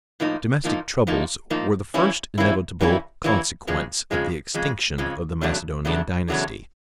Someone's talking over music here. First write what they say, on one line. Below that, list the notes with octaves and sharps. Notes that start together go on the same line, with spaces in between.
Domestic troubles were the first inevitable consequence of the extinction of the Macedonian dynasty.
A2 F3 A#3 D#4
A2 F3 A#3 D#4
A2 F3 A#3 D#4
A2 F3 A#3 D#4
E3 G3 A#3 C#4 E4
E3 G3 A#3 C#4 E4
E3 G3 A#3 C#4 E4
E3 G3 A#3 C#4 E4
F2 C#3 F3 G#3
F2 C#3 F3 G#3
F2 C#3 F3 G#3
F2 C#3 F3 G#3
E2 C#3 F#3 A3 D4
E2 C#3 F#3 A3 D4
E2 C#3 F#3 A3 D4